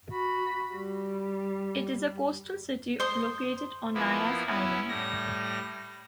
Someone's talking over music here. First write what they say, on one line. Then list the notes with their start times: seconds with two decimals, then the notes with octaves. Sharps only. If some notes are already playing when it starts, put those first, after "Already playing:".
It is a coastal city located on Nias island.
0.11 F#4 B5
0.73 G3
3.00 C5 C6 D#6
3.94 F3 A#3 B3 E4
4.47 B3 C#4 E4
4.89 A2 G3 A#6